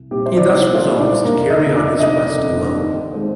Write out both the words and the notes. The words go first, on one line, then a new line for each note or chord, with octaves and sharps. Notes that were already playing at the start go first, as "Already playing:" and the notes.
He thus resolves to carry on his quest alone.
Already playing: C2
A#2 G3 C4 G4
C5
D5
C2 D#4 D#5
F4 F5
A#2 G3 C4
D4 D5
F1 A#3 A#4
D#4 D#5
F2 D3
D4 D5
F1 D#4 D#5
F2 D3
D#2
D#3 G#3 C4